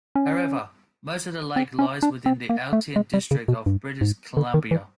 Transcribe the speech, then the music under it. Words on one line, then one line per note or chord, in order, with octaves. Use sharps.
However, most of the lake lies within the Atlin District of British Columbia.
C#4
C4
C#4
D4
C4
A#3
A3
G#3
G3
C#3
B2
G2
G#2
D3
D#3
E3